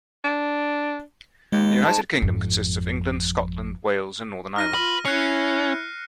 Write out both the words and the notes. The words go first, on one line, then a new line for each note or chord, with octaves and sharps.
The United Kingdom consists of England, Scotland, Wales and Northern Ireland.
D4
D#2 G#3
G#2 A5
G#1 F2
D#4 F6 A#6 D#7
F4 B4
C#4 E4 F#6 C7 C#7